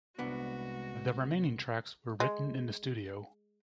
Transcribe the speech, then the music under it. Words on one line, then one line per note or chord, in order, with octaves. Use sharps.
The remaining tracks were written in the studio.
C2 G#3 B3 D4 F#4
G#3